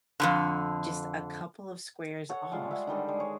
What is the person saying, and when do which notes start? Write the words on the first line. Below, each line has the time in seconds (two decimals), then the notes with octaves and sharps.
just a couple of squares off,
0.20 F2 G#2 D3
2.29 A4 C#5 F#5
2.51 G3 G#3 F4
2.71 E5 F#5
2.87 D3 D#3 G3 G#4
3.09 G#3
3.20 C#5